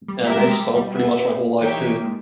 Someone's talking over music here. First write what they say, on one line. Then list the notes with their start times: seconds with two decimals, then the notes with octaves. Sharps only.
And they've stunk pretty much my whole life too.
0.08 G3
0.25 G3 G4 A#4 E5
0.37 G#3
0.48 G#3
0.60 G3
0.77 G3
0.93 B3 G4 B4 E5 G#5
1.61 E3 D#4 G4 C#5 E5 G5
1.78 E3
1.96 A#3
2.04 G#3